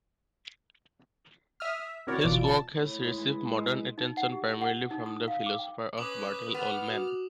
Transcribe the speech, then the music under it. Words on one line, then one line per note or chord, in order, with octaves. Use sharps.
His work has received modern attention primarily from the philosopher Bertell Ollman.
E5 D#6 F6
E5
C4 E4 F#4 A#4 C#5 D5
G1 B2 E3 F4 D5 D7
A5
A2
G#2
E3
G#3
D#4
F#5
G4
F#5
D#4
D#6
F5
D6
G5
C#4 B4 D6 D#6 F#6 F#7
B3 F6
F#4